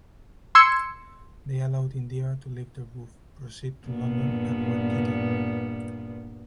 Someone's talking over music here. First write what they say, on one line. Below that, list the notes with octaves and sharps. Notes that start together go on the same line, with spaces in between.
They allowed Indira to leave their roof, proceed to London and wed Jitendra.
C6 E6 G#6 C#7
G2 A#2 B3